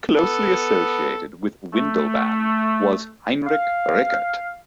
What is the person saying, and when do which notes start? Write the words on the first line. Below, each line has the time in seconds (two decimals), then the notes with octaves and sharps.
Closely associated with Windelband was Heinrich Rickert.
0.16 B3 A4
1.72 A3
3.46 F5